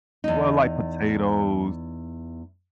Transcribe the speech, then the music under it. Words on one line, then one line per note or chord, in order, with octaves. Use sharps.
well, like potatoes,
E2 D#4